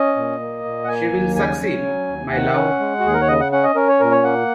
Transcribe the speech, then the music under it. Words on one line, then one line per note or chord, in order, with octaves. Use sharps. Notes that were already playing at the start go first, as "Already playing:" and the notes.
She will succeed, my love!
Already playing: C#4 D#5
A#2
A#3
A#2
F#5
A#3 G#5
D#2
C#3 G#5
C#4
F#3
D#2
D#3 F#5
C#4
G#3
F#4
D#2 G#4
A#4
C#5
C#3 D#5
F#5
C#4 F#5
D#5
C#4 A#4
C#5
A#2 A#4
C#5
A#3 F#5